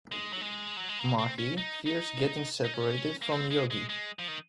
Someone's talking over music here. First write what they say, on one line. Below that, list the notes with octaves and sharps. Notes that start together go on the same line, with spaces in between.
Mahi fears getting "separated" from Jogi.
G#3
F#3
G#3
F#3
G#3
A#3
C4
C#4
D#4
D#4
D#4
C#4
A#3
C4
G#3
G#3
G#3
F3
D#3